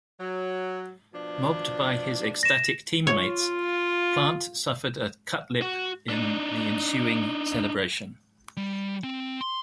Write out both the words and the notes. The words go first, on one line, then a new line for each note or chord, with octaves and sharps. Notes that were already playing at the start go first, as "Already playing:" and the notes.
Mobbed by his ecstatic teammates, Plante suffered a cut lip in the ensuing celebration.
F#3
B2 F3 D4
A#6 E7
F4 C#5
F#4
D4 D#4
G3
C4
C6